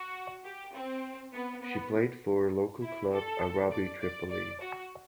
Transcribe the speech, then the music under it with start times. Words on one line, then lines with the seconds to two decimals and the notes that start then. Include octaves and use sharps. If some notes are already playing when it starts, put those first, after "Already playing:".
She played for local club Arabi Tripoli.
Already playing: F#4
0.45 G4
0.75 C4
1.33 B3
1.63 B3
2.82 E4
3.12 A4
3.71 D5
4.01 D5
4.31 D5
4.61 F#4